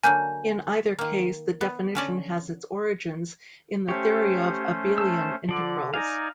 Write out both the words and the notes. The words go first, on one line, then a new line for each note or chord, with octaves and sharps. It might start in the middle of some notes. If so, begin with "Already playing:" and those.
In either case the definition has its origins in the theory of abelian integrals.
D3 F#3 A#3 G#5 G6
D#3 A#3
B3
D3 C#4 D5
A3 C#4 G4 C5 C#5
A5 E6
D3 F3 D5
D#4 D5 F5 G#5 A#5